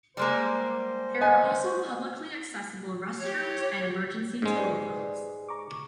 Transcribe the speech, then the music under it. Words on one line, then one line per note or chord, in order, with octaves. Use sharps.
There are also publicly accessible restrooms and emergency telephones.
G3 G#3 A#3 C5
D#5 G#5
G4 C#5
G#2 G#3 C#4
G4 B4 D5
A#5 C#6 D6